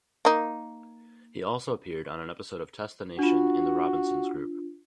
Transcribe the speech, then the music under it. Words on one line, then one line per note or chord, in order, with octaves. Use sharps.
He also appeared on an episode of "Test the Nation" in the Robinsons group.
A#3 D#4
D4 F4 F#4